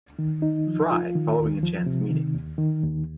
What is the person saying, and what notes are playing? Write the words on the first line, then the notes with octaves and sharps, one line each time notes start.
Fry, following a chance meeting.
D#3
D#4
F3
F4
D#3
D#2
F3
C3
D#3
D#2
D#3
D#2